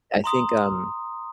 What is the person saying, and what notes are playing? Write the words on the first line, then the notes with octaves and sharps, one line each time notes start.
I think, um,
A#5 C6 D#6